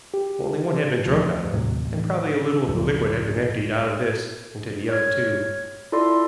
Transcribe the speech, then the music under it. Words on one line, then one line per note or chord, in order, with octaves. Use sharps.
Only one had been drunk out of, and probably a little of the liquid had been emptied out of this into the other two.
G4
D2 F3
D#2 A2 C3 F#3
A1
C#2 F#2 F3
C#5 F6 G#6
E4 F4 A4 D5 C6